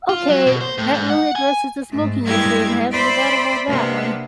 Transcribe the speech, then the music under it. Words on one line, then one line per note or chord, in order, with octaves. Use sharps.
"Okay, that really addresses the smoking issue. Have you thought about that one?"
F4
F#3
B2
C5
A2
G#2
F#5
G#5
G#2 A3
G2 G#3 A#3 E4 G4 G#6
C5 D5 E5 B5 C6 D6
C3 A#3 B3 D4